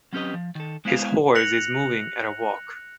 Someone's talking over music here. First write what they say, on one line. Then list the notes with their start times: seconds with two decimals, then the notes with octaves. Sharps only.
His horse is moving at a walk.
0.13 F#3 C4 C#4 G4 B4 D#5
0.34 F3
0.55 D#3 A4
0.85 G#3 B3 E4 C5 F5
1.35 F6 F#6 A#6 C#7 F7 F#7